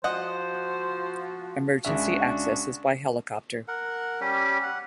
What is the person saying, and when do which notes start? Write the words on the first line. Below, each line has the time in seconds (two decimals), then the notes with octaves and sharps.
Emergency access is by helicopter.
0.04 F3 F4 F#4 C5 D#5 F#5
1.85 C#2 C#3 D4 F#4 E5
3.68 A#4 F#5
4.21 G3 C#4 G4
4.63 F#5